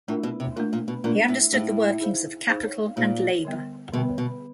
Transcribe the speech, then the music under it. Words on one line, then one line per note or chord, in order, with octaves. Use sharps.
He understood the workings of capital and labour.
A2 A3 D4 F4 A#4
B2
C3
A#2 A3 D4 F4 A#4
A#2
B2
A#2 A3 D4 F4 A#4
A2
A2 D#4 G#4 C5 F5
D#4 G#4 C5 F5
D#4 G#4 C5 F5
A#2 D#4 G#4 C5 F5
D3 G3 B3
B2 D3 G3 B3
B2